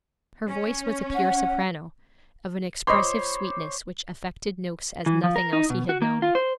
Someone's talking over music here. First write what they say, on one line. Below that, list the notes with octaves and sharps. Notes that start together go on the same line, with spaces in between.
Her voice was a pure soprano, of an expressive sweetness which affected Noakes as nothing else he had known.
C#4
F#5
C5 C#5 D#5 B5 C6 D6
E3
F3
A#4
D#4
B2
F#4
A#3
F4
C5